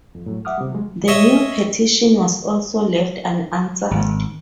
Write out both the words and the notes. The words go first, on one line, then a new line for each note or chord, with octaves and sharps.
The new petition was also left unanswered.
F2
A2 F#3
E5 F#5 D6 D#6 F6
C3 G3
F#3 G#3
C#5 D#5 E5
G#1